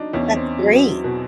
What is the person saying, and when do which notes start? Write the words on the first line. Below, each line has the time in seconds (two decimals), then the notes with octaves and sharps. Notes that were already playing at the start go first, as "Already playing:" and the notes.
That's great.
Already playing: F#3 D4 D#4
0.13 E2 C#4
0.36 C4
0.59 F#3
1.04 B2